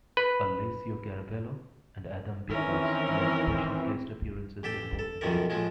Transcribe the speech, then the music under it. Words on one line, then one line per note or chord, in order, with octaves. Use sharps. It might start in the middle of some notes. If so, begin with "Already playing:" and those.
Alessio Garavello and Adam Bickers made special guest appearances at both dates.
B4
D#3 E3 C4 C#4 E4 A#4
A1 G4 A4 G5
A4
B1 F#2 D#3 F3 G3 A#4
A2 F3 G#3